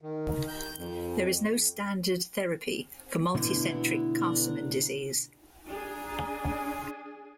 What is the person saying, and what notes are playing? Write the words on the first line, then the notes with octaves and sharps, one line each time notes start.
There is no standard therapy for multicentric Castleman disease.
D#3
G6
F2
B2 D3 E3 A3
B3 E4
D4 A#5
D4 G#4